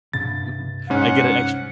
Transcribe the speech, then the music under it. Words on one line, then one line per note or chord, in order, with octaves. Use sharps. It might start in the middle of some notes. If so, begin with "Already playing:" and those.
Mhm, I get it extr
C2 G2 A6
G#2 C#4 F#5